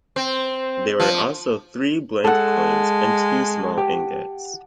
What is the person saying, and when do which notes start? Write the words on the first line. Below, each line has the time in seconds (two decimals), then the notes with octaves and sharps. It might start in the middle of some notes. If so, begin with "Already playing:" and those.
There were also three blank coins and two small ingots.
0.16 C4
1.00 F3
2.24 G#3 A4 F#5 A5
3.78 G4